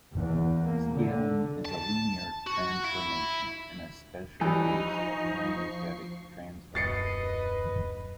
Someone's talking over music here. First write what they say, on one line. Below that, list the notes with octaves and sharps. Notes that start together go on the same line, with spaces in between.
Scaling is a linear transformation, and a special case of homothetic transformation.
E2
A#3
D3
A5
F#4
E4
E3 F3 G3 D#4 C#6 C7
D#1 F#2 B4 D#5 A6 C7 C#7